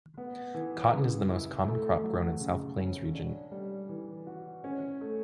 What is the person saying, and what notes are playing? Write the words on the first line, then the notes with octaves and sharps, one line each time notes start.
Cotton is the most common crop grown in South Plains region.
B3
E3
C#3
E4
A3
F#3
C#3
C#4
D4
G3
E3
F#4
C#4
A3